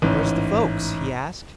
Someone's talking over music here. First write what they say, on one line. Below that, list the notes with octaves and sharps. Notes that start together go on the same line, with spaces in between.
"Where's the folks?" he asked.
A1 G#2 C#4